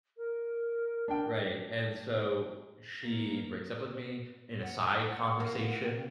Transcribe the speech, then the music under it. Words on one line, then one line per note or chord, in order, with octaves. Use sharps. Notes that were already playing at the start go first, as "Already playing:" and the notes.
right, and so, she breaks up with me, in a side conversation,
A#4
D4 G5
A#3
F#5
F#5
A#3
G5